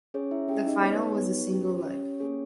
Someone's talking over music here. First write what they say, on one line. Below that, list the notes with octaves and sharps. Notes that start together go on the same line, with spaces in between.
The final was a single leg.
C#4 G#4 C#5
E4 E5
C#4 G4 G#4 G5
D#4 D#5
B3 D#4 G4 C#5
B4
C#5
B3 D#4 G4 B4
C#4 G4
C#4 G4 C#5
A#3 C#4 G#4 C#5